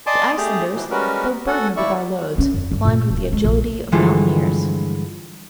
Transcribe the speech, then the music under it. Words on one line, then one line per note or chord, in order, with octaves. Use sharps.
The Icelanders, though burdened with our loads, climbed with the agility of mountaineers.
D5 D#5 G#5 A5 C6 D6
A3 G4 G#4
B2 E3 F#3
G3 G#3 C#4 F#4 A#4 B4
F#4 A4 F#5 G#5
D#2 G3 E4 D5 E5 C#6
C#4
F2
G2
A#2
D1
G#3
A#1
G2 D3 E3 F3 G#3 A3